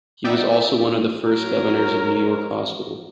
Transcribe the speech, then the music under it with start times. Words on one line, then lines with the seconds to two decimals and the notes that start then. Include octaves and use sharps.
He was also one of the first governors of New York Hospital.
0.24 B3 D#4 D5 E5 G5
1.27 F#3 A#4